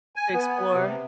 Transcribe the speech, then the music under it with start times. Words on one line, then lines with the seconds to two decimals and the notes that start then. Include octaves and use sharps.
To explore?
0.16 G#5
0.33 B3
0.74 C3